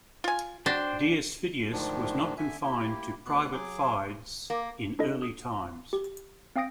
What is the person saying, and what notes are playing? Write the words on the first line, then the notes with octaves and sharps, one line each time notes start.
Dius Fidius was not confined to private "fides" in early times.
F4 G#5
D4 F#4 C5 G5
D2 G#2 D#3 F3 D4
D3 E5 G#5
A#3 E4 G4
D2 B2 B3 F#6
F#3 G#4 D6
A#3
D4 E4 A4 D#5
D#6
G4
C4 F5 G5 D#6 A#6 D7